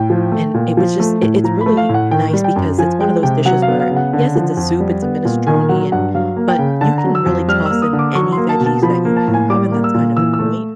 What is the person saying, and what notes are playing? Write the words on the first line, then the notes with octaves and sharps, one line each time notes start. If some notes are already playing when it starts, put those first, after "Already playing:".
and it was just it it's really nice because it's one of those dishes where, yes, it's a soup, it's a minestrone, and but you can really toss in any veggies that you have, and that's kind of the point,
Already playing: A2 G5
F3
A3
A#2
F3
A3
A2
F3 A#5
B5
A3
F5
A2
F#5
D#3 G5
G3
G5
F#2
F3 G#5
G#3 G5
C3 G5
F#3 F#5
F5
B3
F5
C#3
F#5
D3
F3
F2
G3
B3
A#2
D#3 G#5
F#3 F#5
G2 F#5
F#3 F5
A#3
G5
C#3
D3 A5
A#5
F#3
E6
F2
G3 F6
A#3 E6
D#6
D3
D6
F#3 C#6
A#3 C6
A5
B2
A5
F3 B5
A#3
A5
A2
G#5
G3 D6
A#3
E6
A#2
E3 E6
E6
A3